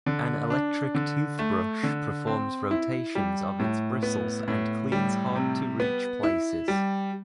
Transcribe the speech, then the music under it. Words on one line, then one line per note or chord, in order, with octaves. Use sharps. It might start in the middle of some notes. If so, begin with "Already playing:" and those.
An electric toothbrush performs rotations of its bristles and cleans hard to reach places.
D3
D4
D3
A3
D3
C4
E4
G3
A2
B3
A2
G3
C3
B3
E4
G3